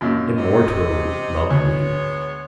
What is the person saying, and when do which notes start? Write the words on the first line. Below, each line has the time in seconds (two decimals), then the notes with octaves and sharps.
Immortal lovely.
0.01 G#1 F#2 A#2
0.37 C3 D#5
1.50 D2 G#3 B3 C#5